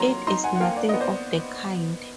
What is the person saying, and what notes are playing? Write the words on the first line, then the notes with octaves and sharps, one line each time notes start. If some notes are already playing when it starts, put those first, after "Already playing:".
It is nothing of the kind.
Already playing: F#3 A#3 A#5 C6
D#4 A#5 C6
F#5 G#5
F#5
A#3 F5 G5
D5
B3 D#5
C5 D5